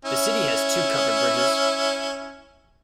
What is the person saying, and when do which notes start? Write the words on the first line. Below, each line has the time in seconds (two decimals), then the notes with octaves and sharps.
The city has two covered bridges.
0.05 C#4 E4